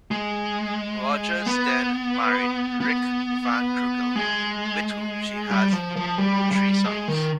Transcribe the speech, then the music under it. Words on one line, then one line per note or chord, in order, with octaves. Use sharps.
Rogers then married Rick Van Krugel with whom she has three sons.
G#3
B3
B3
G#3
G3
F3
F3
G3
G3
G#3
D#3